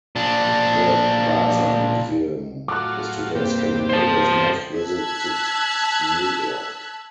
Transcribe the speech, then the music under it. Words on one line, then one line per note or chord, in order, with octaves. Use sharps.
The Vasa Museum is today Scandinavia's most visited museum.
A#2 D4
A2 F#3 F4 D6 F#6
G2 C3 A#3 G4
C5 A5
A5 E6 F#6 G#6 B6